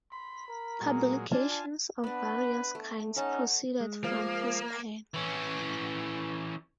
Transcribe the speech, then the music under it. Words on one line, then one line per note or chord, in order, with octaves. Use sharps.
Publications of various kinds proceeded from his pen.
B5 C6
A#4
A#2 F#3 G#3
D4 F4 G#5 A5
B3 D4 B4
A3
C#4 D#4 C#5 F#5 A5
G#3
F3 A#3
E3 C#4